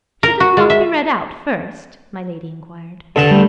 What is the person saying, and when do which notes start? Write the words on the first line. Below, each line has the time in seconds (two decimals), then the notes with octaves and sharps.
"Should it not be read out, first?" my Lady enquired.
0.23 A#4
0.40 F#4
0.57 G#3
0.70 E5
3.16 G2 D3 A4 A5
3.31 G3 A3